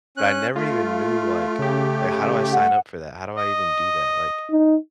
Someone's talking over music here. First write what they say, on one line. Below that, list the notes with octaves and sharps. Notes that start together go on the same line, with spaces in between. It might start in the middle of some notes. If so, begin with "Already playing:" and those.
but I never even knew like like how do I sign up for that? How do I even do that? Like,
C#4 F#6
A3 F4
C#3 G4
F#5
D#5
D#4